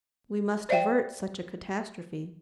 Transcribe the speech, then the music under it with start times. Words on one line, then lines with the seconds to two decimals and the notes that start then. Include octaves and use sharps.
We must avert such a catastrophe.
0.69 C5 D5 E5 F5 G5